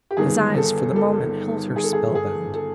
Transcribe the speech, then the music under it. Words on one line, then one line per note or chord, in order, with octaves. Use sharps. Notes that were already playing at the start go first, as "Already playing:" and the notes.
His eyes for the moment held her spellbound.
G4
G1 G2 D#3 G#4
A4
A4
G#4
A4
G#4
G#4
A4